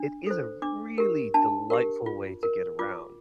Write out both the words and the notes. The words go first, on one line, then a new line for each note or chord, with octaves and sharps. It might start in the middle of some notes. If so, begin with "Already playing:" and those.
it is a really delightful way to get around
Already playing: D4
A4 C5
D4 D6
G4 A#4
D4 A5
G4 A#4
F4
A#4
F4 D6